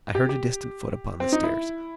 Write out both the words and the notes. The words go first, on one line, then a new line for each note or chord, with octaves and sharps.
I heard a distant foot upon the stairs.
G4
G4
C4
D#4
E4